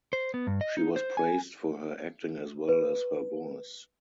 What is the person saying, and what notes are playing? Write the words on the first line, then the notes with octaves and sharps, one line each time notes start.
She was praised for her acting as well as her voice.
C5
B3
G2
D#5
D#4
C5
G#5
B4